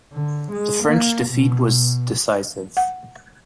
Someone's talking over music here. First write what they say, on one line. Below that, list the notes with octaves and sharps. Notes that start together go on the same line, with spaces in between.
The French defeat was decisive.
D3
G#3
A#3
B2
F#5